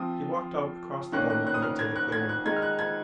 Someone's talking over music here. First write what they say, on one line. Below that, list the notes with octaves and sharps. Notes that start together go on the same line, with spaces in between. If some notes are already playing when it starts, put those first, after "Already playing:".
He walked out across the boma and into the clearing.
Already playing: F3 C4 F4 D#6
D#3 A#3 C#4 F#6
F#6
F#6
D#6
F6
G#6
F#6
G#6
F#6
D#3 G#3 D#4 G#6
F6
F#6
G#6